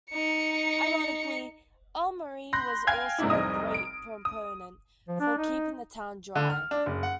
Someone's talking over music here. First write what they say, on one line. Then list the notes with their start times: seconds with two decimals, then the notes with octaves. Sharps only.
Ironically, ElMarie was also a great proponent for keeping the town dry.
0.11 D#4 C#7
2.53 B5 C6 F#6 G6 A#6
2.87 F5 G5 G#5 F6 G#6
3.19 G#2 C3 D4 E4
3.30 F1 C2 C4 D#4 D#5 D#6
3.74 D7
4.25 D#6
5.08 F3
5.20 D4
5.38 D#4
6.35 D3
6.50 F6
6.71 D4
6.86 F#1
7.03 F#5